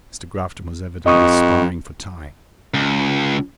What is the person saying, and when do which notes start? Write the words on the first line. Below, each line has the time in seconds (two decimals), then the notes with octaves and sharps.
Mr. Grafton was evidently sparring for time.
1.06 F2 D#5 C#6 D#6
2.74 C#2